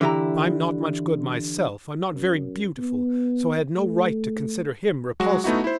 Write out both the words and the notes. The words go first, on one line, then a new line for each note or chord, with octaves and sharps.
I'm not much good myself, I'm not very beautiful, so I had no right to consider him repulsive.
D3 E3 E4 G4 G#5 A#5
F#2
B3
A3
F#3 G#3 F#4
A3 B3 D#4 E4 F#4
E4 C5